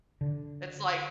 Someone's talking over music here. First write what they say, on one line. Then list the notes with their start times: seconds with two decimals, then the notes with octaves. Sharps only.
It's like
0.21 D3